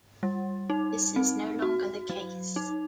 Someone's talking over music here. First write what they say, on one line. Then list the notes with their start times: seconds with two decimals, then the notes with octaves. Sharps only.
This is no longer the case.
0.23 G3
0.70 D#4
1.16 C4
1.62 F#4
2.10 F#3
2.56 D#4